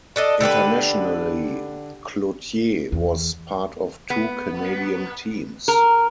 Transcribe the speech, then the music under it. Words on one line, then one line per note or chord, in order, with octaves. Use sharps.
Internationally, Cloutier was part of two Canadian teams.
D4 A4 D#5
D3 G4 A#4 B4
E2
B3
A#4